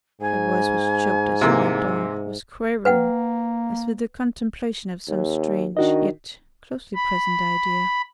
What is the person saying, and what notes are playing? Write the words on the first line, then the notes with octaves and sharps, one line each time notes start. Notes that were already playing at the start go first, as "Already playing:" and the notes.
Her voice was choked as she went on--was quavering as with the contemplation of some strange, yet closely-present idea.
G#2 G#5
C3 E3 A#3
A#3 B4 F#5 G5
D#2
D#3 D4 F#4 D#5
B5